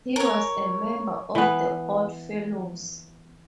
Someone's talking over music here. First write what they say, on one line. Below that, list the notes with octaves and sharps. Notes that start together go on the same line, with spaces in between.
He was a member of the Oddfellows.
A#4 C#5
E3 B3